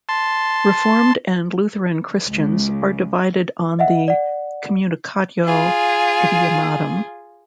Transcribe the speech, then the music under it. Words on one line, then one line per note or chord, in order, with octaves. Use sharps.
Reformed and Lutheran Christians are divided on the "communicatio idiomatum".
A5 C6
C#2
D#5 E5 F#5
D5 F#5
F4 G#4